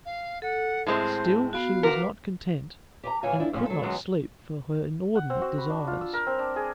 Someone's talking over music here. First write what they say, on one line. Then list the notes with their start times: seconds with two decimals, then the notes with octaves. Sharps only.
Still she was not content, and could not sleep for her inordinate desires.
0.05 F5
0.42 A4 F#5
0.87 A2 G#3 C4 C5 A5
1.53 B3 F#4 F5
1.83 F#4 A#4 B4 D6
3.03 G4 G#5 A#5
3.23 A2 C#3 E3 C#5 F5 G#5
3.40 F3 D4 E4
3.53 F2 A2 C#3 C#4 E4 F4
3.66 F#3 A4
3.83 D#3 E3 F#3 G#3 B3 C#4
5.15 F#5
5.30 C4
5.41 F#4
5.58 B5
5.70 D4
5.87 F4
6.01 E6
6.13 A#4
6.27 C4
6.39 D4
6.56 G#4